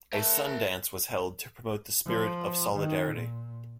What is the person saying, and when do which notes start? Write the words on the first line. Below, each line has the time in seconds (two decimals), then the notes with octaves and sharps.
A Sun Dance was held to promote the spirit of solidarity.
0.13 A3 A#4 B4 A5
2.05 F3
2.74 D#3
3.11 A#2